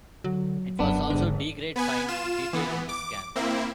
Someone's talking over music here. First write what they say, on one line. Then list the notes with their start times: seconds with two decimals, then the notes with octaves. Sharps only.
It will also degrade fine detail in the scan.
0.24 D3 F#3
0.79 E1 F#2 B3 D4
1.10 G#1 G#2 D3
1.76 B3 B4 G#5
2.08 F4 E7
2.53 E3 B3
2.89 D6
3.35 A#3 C4 E4